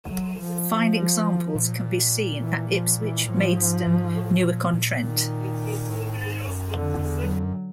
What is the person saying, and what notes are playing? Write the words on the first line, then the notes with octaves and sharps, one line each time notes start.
Fine examples can be seen at Ipswich, Maidstone, Newark-on-Trent.
F#3
F3
A#2
E3
F3
E3
A2 F3
G#2
G#2
A2
A#2
A#2
D#3
A2
G#2
F#2
F2 D3
E2
F#3
F2
F#2